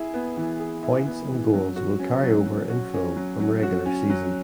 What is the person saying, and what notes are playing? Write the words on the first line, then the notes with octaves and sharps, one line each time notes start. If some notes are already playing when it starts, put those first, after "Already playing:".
Points and goals will carry over in full from regular season.
Already playing: E4 G#4
B3
E3
G#4
E4
B3
E3
F#3
F#4
C#4
F#3
F#3
F#4
C#4
F#3
F#3
F#4
C#4
F#3